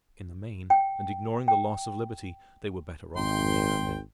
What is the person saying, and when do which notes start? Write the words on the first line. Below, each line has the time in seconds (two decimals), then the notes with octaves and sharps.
In the main, and ignoring the loss of liberty, they were better off than they had been.
0.70 G5
1.48 G5
3.16 G#1 G5 C6